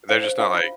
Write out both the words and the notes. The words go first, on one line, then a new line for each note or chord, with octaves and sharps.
They're just not, like,
C5 F5
C5
F4 F5
F4